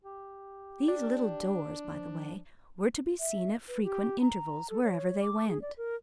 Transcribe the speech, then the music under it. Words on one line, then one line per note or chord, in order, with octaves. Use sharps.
These little doors, by the way, were to be seen at frequent intervals wherever they went.
G4
D4 D5
F3
E5
B4
G4
A#5
A4
C#5
D6
G#4
D5
A#4